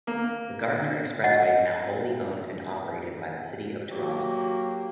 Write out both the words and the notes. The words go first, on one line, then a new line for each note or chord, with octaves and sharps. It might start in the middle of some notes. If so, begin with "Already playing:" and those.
The Gardiner Expressway is now wholly owned and operated by the City of Toronto.
A#3
D#5 F#5
F#3 A#3 G4